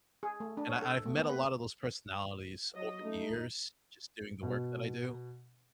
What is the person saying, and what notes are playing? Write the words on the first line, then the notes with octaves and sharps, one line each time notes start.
and I I've met a lot of those personalities over the years just doing the work that I do.
G#4
A3
D4
C#5
A4
A3
B3
B4
F#3 D#5
A3 D#4
B2